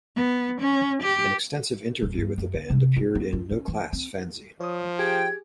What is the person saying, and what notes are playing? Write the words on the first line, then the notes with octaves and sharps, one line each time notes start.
An extensive interview with the band appeared in "No Class" fanzine.
B3
C#4
G4
D#1
G2
F#2
D3
C3
F4
B3
F4
C#4
E3
C4
F3 C#5 D#6
G4 G#4 G5 G#6